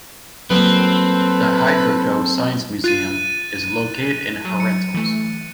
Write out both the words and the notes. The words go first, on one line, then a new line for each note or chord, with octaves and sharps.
The Hidrodoe science museum is located in Herentals.
F#3 G3 A#3 C4 A4 B4 C5
F4 F#6 A6 D#7
F#3
C#7
E3 A3